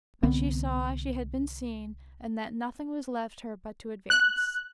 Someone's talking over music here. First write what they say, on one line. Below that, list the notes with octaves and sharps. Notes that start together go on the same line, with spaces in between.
But she saw she had been seen and that nothing was left her but to advance.
C2 D3 B3 C4
F#6